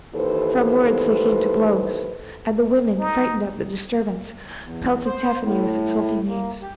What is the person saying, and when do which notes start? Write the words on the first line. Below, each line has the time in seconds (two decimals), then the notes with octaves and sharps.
From words they came to blows, and the women, frightened at the disturbance, pelted Tephany with insulting names.
0.14 D#2 E3 A4 B4 C5
2.99 D#4
4.63 E2
5.06 C5
5.42 A2
6.28 A#3
6.62 G4